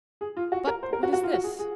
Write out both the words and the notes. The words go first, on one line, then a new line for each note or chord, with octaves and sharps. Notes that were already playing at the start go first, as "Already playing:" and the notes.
But what is this?
G#4
F4
F#4
A#4
C5
A#4
F#4
F#4
F4
F#4
G#4
G#4